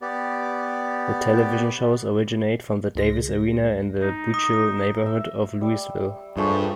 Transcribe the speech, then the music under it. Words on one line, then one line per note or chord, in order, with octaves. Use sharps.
The television shows originate from the Davis Arena in the Buechel neighborhood of Louisville.
B3 G4 D5
C#2 G#3 A#6
D#4
D#6
E5
G3
G2 F3 G#3 A3